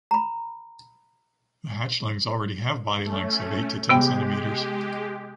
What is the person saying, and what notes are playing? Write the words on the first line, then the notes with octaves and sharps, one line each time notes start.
The hatchlings already have body lengths of eight to ten centimeters.
A#5 B5
A3 C#4
C3 G#3 B3 G4 G5